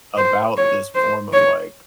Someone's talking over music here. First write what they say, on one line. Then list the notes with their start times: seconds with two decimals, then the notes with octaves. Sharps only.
about this form of, like
0.17 C5
0.57 C#5
0.95 C5
1.33 C#5